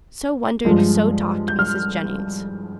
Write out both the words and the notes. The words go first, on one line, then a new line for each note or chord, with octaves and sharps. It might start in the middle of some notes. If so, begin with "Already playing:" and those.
So wondered, so talked Mrs. Jennings.
G2 F3 G#3
G6
F6